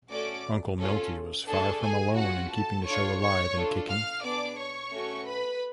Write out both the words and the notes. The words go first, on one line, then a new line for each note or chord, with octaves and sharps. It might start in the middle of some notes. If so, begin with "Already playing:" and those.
Uncle Miltie was far from alone in keeping the show alive and kicking.
A3 C#4 F#4 A4 D5 D6
C#4 F4 A4
A3 D4 G#4 A4 A5
G#4 G#5
C#4 F4 F#4 G#4 F#5
A4 A5
D4 F4 A4 C#5 C#6
C#5 C#6
D4 F4 A4
F5 F6
B3 D4 G#4 D5 D6
C#5 C#6
A3 C#4 F#4
B4 B5